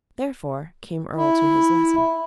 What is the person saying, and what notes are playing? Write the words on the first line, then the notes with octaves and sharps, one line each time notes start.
Therefore, came Earle to his lesson.
E4